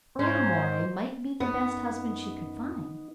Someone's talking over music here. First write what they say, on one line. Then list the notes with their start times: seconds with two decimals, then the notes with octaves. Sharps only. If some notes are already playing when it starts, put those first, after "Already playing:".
Earle Moray might be the best husband she could find.
0.19 G#2 C#4 C5
1.40 F#2 B3 D#4